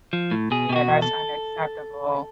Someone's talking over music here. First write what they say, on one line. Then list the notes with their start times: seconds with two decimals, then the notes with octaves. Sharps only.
Yeah, that's unacceptable.
0.13 F3
0.31 A2
0.51 B2 G#4
0.69 B2 G4
0.76 F#4
0.89 E2
1.02 A4